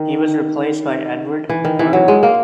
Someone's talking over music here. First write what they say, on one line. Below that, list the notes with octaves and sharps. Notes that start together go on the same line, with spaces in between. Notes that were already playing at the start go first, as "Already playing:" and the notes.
He was replaced by Edward Hardwicke.
Already playing: D#3
E3
D#3
E3
F#3
G#3
A#3